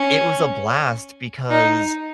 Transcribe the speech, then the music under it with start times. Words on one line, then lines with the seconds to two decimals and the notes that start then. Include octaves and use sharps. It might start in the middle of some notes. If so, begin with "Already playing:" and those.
it was a blast because
Already playing: C#4
1.50 D#4